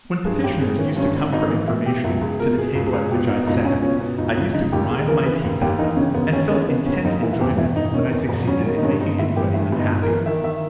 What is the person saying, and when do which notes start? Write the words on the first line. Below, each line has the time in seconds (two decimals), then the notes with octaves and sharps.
When petitioners used to come for information to the table at which I sat, I used to grind my teeth at them, and felt intense enjoyment when I succeeded in making anybody unhappy.
0.25 G2 G#4
0.44 G#1 G4
0.61 G#1 G#4
0.79 E3 C#4
0.96 G2 C#4
1.15 G#1
1.33 G#1 D#4
1.50 E3
1.68 B2 E4
1.86 B2 G4
2.04 C#2 E4
2.21 C#2 G#4
2.40 B2 A#4
2.57 B2 G#4
2.75 C#2 G#4
2.93 C#2 G#4
3.11 B2 G4
3.29 B2 D#4
3.47 C#2 D#4
3.65 C#2 C#4
3.82 B2 C#4
4.00 B2
4.18 C#2 D#4
4.37 C#2
4.54 C#3 D#4
4.72 D#2 G4
4.90 D#2 G#4
5.08 E3 A#4
5.26 C#3 B4
5.44 D#2
5.61 D#2 G4
5.79 E3 D#4
5.97 C#3 C#4
6.15 D#2 B3
6.33 D#2 C#4
6.50 E3 C#4
6.69 C#3 B3
6.86 D#2 C#4
7.04 D#2 D#4
7.23 E3 E4
7.33 E4
7.41 E2 G4
7.58 E1 E4
7.76 E1 D#4
7.94 D#3 C#4
8.11 E2 B3
8.29 E1
8.47 E1 C#4
8.65 D#3
8.78 D#4
8.83 G2 C#4
9.01 G1 D#4
9.19 G1 E4
9.36 E3 G4
9.54 G2 E4
9.72 G1
9.79 D#4
9.90 G1
10.02 A#4
10.08 E3
10.26 D#3 E5
10.44 D#3 E5